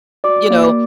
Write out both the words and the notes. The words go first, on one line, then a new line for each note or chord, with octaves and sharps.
you know
F#4 D5 D6
A#3